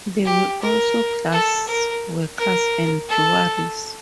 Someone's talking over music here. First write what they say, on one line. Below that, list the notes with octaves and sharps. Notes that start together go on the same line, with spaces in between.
There were also glass-works and breweries.
G4
A#4
A4
A#4
A#4
A4